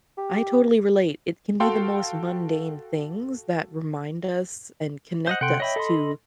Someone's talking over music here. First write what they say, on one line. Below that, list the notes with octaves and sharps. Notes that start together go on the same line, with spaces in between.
I totally relate. It can be the most mundane things that remind us and connect us to
G4
F#4 A4 F5 G5 C6
C5 D#5 F#5
C3 A4 F#5 G5 C6
C#5 D#5 E5 G5 B5
A4 C6